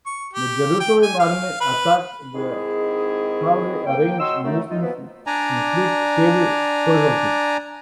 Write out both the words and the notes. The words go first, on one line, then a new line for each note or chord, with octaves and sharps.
The Jerusalem army attacked the hurriedly arranged Muslims, inflicting heavy casualties.
C#6
G4
G5
G#5
F5
B4
G#2 D#3 C4 E4 G#4
A#3 G5
F#3 D#5 C6 E6
F#2 A3 D#4
D#4 F4
B2 F3 A#3 B3 B4
D4 D5 G#5 A#5